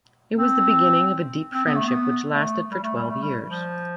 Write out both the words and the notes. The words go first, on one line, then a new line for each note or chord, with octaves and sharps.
It was the beginning of a deep friendship which lasted for twelve years.
C4
C4
B3
A3
B3
A3
G3
A3
G3
A3
G3
F3